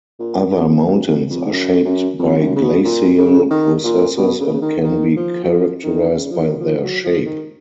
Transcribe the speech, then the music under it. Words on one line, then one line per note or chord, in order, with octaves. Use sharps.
Other mountains are shaped by glacial processes and can be characterized by their shape.
A#2
F2
F#2
F2
F2
G#2
F#2
F#2
F2
F#2
C#3
B2
A#2
C#3
D#3
A#2
B2
C#3
B2
C#3
D#3
D#3
F3
F#3
F3
D#3
C#3
F3
D#3
F3
F#3
F3
D#3